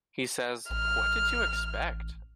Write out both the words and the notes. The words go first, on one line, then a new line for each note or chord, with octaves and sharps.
He says, What did you expect?
A1 F6